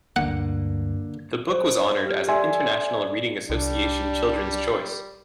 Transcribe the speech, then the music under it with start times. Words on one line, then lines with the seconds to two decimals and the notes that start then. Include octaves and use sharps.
The book was honoured as an International Reading Association Children's Choice.
0.16 D2 G2 D3 A#3 F#5
1.48 C5
2.06 G4 F6
2.28 A4 D5 E5 G#5 C6
3.50 C2 G3 D4